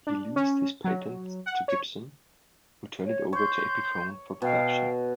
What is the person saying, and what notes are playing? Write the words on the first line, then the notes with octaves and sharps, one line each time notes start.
He leased his patent to Gibson, who turned it over to Epiphone for production.
D4
C#4
F#3
F#5
C#5
C#5
C#5 C6 G6
B2 F5 G5